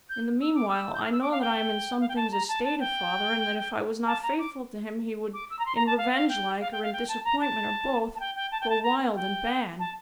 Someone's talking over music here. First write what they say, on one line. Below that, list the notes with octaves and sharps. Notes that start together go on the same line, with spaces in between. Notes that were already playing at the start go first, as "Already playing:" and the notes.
In the meanwhile I know that I am in some things a stay to father, and that if I was not faithful to him he would--in revenge-like, or in disappointment, or both--go wild and bad.'
G6
E6
D6
E6
G6
F6
E6
D6
F5
G5
F5
G5
A5
A#5
A5
A5
G5
A5
A#5
D6
D6
E6
A#5
C6
A#5
A5
F5
F5
G5
F5
G5
F5
G5
A5
A#5
A5
A5
G5
G5
A5
G5
A5
A#5
G5
A5